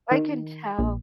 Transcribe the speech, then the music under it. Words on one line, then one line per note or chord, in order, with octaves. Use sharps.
I can tell.
D#3
A#1